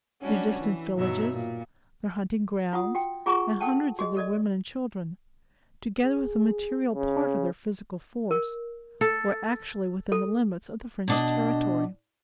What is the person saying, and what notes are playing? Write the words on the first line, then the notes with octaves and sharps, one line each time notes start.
Their distant villages, their hunting-grounds and hundreds of their women and children, together with a material part of their physical force, were actually within the limits of the French territory.
G3 C#4 D4 F#4
E3
G2 B2 F#3 D#4 E5
A#2
F4 F#5 D#6
F#4 G5
F4 G#4 F#5 G#5 A#5 C#6
A4 F#5 G5 A5
F#4 G#4 D#5
A4 D5 D#5
G#4
C#3
A#4
A4
A4
B2 D4 D#5